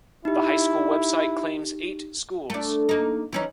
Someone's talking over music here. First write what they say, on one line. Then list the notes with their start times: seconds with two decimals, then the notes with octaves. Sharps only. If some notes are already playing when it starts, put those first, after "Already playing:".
The high school website claims eight schools.
0.25 D#4 E4 G4
2.50 A3 D4
2.89 A#3 D#4
3.33 E3 C#4 D#4